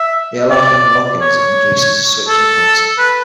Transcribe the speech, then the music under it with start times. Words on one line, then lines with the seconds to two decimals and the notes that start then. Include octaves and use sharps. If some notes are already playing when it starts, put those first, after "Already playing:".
It allows vendor lock-in as it increases the switching cost.
Already playing: E5
0.50 D5
1.21 C#5
2.28 A4
2.98 B4